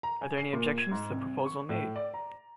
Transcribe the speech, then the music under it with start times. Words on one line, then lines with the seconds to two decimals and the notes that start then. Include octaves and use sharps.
Are there any objections to the proposal made?
0.03 A#5
0.21 G#5
0.38 C7
0.53 A#2
0.78 G#6
0.91 G#2
1.11 C2
1.46 C#6
1.69 A2
1.96 D5
2.14 A#5